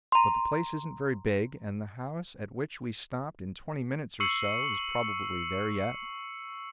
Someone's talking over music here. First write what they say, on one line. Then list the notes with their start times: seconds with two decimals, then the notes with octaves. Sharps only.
But the place isn't very big, and the house at which we stopped in twenty minutes or so is probably there yet.
0.12 A#5 C6
4.20 C#6 E6 C7 C#7 F#7